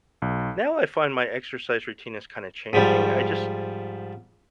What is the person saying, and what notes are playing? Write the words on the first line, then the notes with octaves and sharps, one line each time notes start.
now I find my exercise routine is kinda changing, I just
B1
G#2 F3 G3